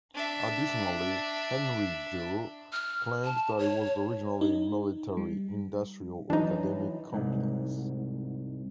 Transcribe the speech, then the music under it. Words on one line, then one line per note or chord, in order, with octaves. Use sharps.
Additionally, Henry Giroux claims that it was originally "military-industrial-academic complex".
D4 E5
F6
A5
C#5
D#4
G3
E3 F#3 D4 D#4
C2 G#2